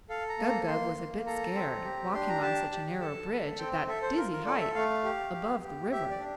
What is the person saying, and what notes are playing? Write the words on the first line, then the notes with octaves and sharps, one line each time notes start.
Gub-Gub was a bit scared, walking on such a narrow bridge at that dizzy height above the river.
A4 F5
A#5
A#3
A#5
A#3 C6
A#3
A4 A#5
C4
G4
D4 C6
A#5
G4 A5
G4
A4 A5
A4
C4 G5
G5
A4 E5
C5
F4 A#4
A#4
A4 D5
E5
A3 F5
G4
G4
G4
G4 E5
D5
D4